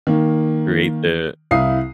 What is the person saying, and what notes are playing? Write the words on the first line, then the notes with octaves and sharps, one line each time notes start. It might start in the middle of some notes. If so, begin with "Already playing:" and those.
create the
D#3 A#3
C2 E4 F5 D#6 C7